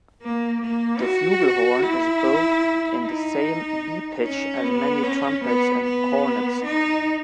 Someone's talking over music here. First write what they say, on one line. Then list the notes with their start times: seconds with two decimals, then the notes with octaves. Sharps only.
The flugelhorn is built in the same B pitch as many trumpets and cornets.
0.22 A#3
0.62 A#3
1.02 F#4
1.82 E4
3.04 D#4
4.24 C#4
4.64 B3
5.03 C#4
5.45 B3
5.84 B3
6.65 D#4